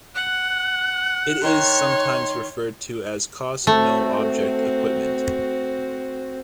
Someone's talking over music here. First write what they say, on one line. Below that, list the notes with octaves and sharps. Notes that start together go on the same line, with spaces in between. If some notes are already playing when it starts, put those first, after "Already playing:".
It is sometimes referred to as cost-no-object equipment.
F#5 F#6
D#3 C#5 C6
A3 C4 F#4